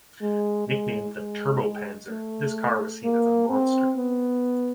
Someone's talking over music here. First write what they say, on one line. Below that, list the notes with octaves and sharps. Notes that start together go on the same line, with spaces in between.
Nicknamed the "Turbopanzer" this car was seen as a monster.
G#3
G#3
G#3
A3
A#3
C4
B3